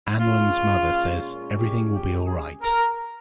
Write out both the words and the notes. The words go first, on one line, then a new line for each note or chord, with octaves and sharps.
Anwen's mother says "everything will be alright".
A#2 G#3 C#4 F4
G4
G4
G#4
A#4